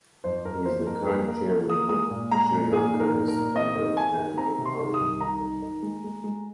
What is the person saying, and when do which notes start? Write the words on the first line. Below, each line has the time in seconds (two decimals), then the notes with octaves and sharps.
He is the current chairman of Sri Lanka Institute of Nanotechnology.
0.24 F2 C5
0.45 F2 A#4
0.65 A#3 C5
0.87 F2 A#4
1.07 A#3 G#4
1.27 A#3 A#4
1.48 F3
1.69 A#3 D#6
1.89 G#3 D#6
2.11 A#2
2.31 G#3 A#5
2.52 A#2
2.72 A#2 G#4
2.93 D#4
3.00 A#4
3.14 A#2
3.28 A#4
3.35 A#2
3.55 C4 D#5
3.76 D#3
3.96 D#3 G#5
4.18 D#3
4.38 C4 A#5
4.58 C3
4.65 C6
4.79 D#3
4.94 D#6
5.00 C2
5.21 D#3 A#5
5.41 D#3
5.62 D#3
5.82 G#3
6.04 G#3
6.24 G#3